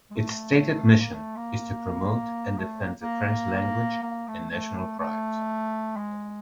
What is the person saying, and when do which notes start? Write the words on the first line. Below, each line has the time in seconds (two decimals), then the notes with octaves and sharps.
Its stated mission is to "promote and defend the French language and national pride".
0.11 G#3
0.16 A3
1.00 A#3
1.13 A3
1.36 A#3
2.58 A3
2.82 A#3
3.01 A#3
4.03 A#3
4.28 A3
4.51 A3
5.00 A3
5.97 G#3